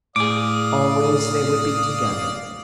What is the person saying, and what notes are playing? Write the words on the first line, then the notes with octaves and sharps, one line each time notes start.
Always they would be together.
A2 G#4 D5 F5 D6 D#6